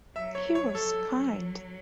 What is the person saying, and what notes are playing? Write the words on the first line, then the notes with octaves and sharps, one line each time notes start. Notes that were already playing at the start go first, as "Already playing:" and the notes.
He was kind.
F#3 E5
C#5
C#5
A4
F#3